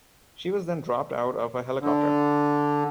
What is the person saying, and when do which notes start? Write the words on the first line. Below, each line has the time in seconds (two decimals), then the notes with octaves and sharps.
She was then dropped out of a helicopter.
1.81 D3